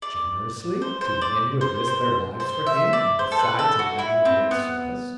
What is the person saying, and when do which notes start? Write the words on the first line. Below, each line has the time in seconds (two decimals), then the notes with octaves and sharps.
"Generously! to men who had risked their lives for him, and besides had done him a great service?"
0.02 D5
0.82 C5
1.01 C5
1.21 D5
1.61 C5
1.88 C5
2.40 C5
2.67 E5
2.93 D5
3.19 C5
3.32 A4
3.39 B4
3.59 A4
3.79 F#4
3.99 E4
4.25 C4
4.51 B3